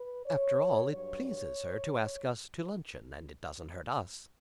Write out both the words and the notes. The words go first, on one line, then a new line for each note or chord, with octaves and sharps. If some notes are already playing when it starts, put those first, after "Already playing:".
After all, it pleases her to ask us to luncheon, and it doesn't hurt us.
Already playing: B4
C#5
G2 F#3 C#5
C#5